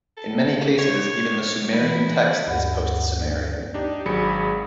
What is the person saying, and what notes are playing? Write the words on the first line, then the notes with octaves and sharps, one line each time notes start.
In many cases, even the Sumerian text is post-Sumerian.
A4
C#5
E3 E4
D2 G2 F#5
D4 D#4 G4
G#1 F#3 G#4 B5 C#7